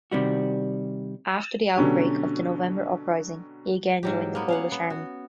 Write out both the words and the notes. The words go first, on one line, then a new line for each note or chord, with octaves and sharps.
After the outbreak of the November Uprising he again joined the Polish Army.
C3 D#3 G3 F#4
B2 D3 F#3 C#4 G4
G#2 F#3 G4
A#3 B3
C#4 F5 F#5
B3
F#4